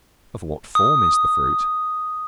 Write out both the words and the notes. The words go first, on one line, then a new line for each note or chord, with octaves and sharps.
Of what form is the fruit?
D#6